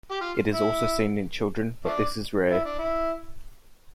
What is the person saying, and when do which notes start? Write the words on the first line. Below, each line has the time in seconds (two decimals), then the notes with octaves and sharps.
It is also seen in children, but this is rare.
0.11 G4
0.21 F4
0.54 E4
1.85 F3 A3 D4
2.51 E4
2.65 D4
2.79 E4